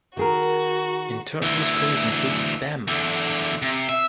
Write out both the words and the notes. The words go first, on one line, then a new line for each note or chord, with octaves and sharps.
In turn this craze included Them!
D#3 F#4 G#4 A#4
D2 E3
E2 D3
C3
E5